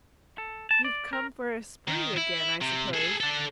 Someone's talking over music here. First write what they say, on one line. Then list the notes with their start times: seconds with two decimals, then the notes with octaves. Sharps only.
You've come for a spree again, I suppose?
0.38 A4
0.71 A5
0.84 D5
1.13 A#4
1.88 D#3
2.17 E4
2.61 C3
2.94 G#4 A4
3.21 D4 A4